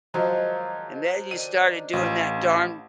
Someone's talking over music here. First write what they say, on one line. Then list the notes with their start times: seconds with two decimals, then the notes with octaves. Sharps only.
"And then, you started doing that darn
0.14 D#3 F3 F#3 G#3 A#3
1.31 D#3 D4 D#7
1.93 A1 A#3 B3 G5